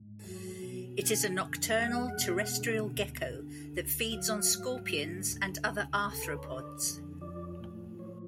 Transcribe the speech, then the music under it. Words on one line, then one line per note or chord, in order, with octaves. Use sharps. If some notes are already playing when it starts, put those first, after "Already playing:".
It is a nocturnal, terrestrial gecko that feeds on scorpions and other arthropods.
Already playing: G#2
F#3
B2
D3 G#5
F2
G#3 F#5
B2
D3
D2
D3
D2
F#3 F5
G#2
D3
D2
C#3
D2 G#4
A4
B4
C#5
D3 D5
F2
F3 D5
A2
F3 C#5